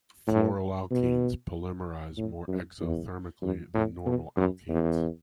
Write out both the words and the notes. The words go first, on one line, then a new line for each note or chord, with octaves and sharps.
Fluoroalkenes polymerize more exothermically than normal alkenes.
A2
B2
A2
F#2
E2
F#2
A2
B2
F#2
E2